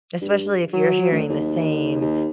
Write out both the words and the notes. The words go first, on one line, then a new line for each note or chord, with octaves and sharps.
Especially if you're hearing the same,
G2
F#3
D2
D#2
D#2